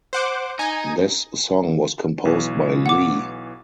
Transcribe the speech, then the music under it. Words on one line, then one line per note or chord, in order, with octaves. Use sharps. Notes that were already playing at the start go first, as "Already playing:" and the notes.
This song was composed by Lee.
C5 F#5 D6
D#4 G#5
B1 E3
F#5 D6